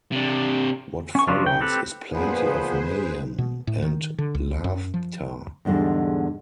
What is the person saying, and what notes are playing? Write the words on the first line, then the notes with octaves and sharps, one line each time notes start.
What follows is plenty of mayhem and laughter.
C3 D4
C#4 C#6
C#3 F3 F#3 D4 F4
C#3 G5
C4 G4 A4 B4
A#2 F3 B3 G#4 B4 C5
B2
A2
D#3
D3
C#2
F#2
F3
E2 G#2 D3 G3 G#3